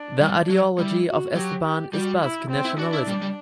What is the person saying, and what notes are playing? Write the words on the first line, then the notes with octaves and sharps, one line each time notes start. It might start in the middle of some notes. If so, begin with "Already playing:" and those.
The ideology of Esteban is Basque nationalism.
Already playing: D4
G3
F#3
G3 E4
F#4
F#3 G4
G4
G3 F#4
E4
C4
E4
D4 F#4
E4
G3
G3